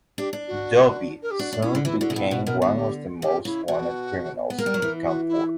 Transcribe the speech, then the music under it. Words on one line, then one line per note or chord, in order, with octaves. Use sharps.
Dubey soon became one of the most wanted criminals in Kanpur.
D4 G4
D4
F#4
A#4
G4
D4 F#4
D4
C#4 E4
D3
E3 E4
D3 F#4
C#3
B2 E4
B2 F#4
B2 A#4
D3 F#4
G4
C#3 G4
C#3 E4
B2 F#4
B3
A#3 A#4
G3
F#3
E3
F#4
E4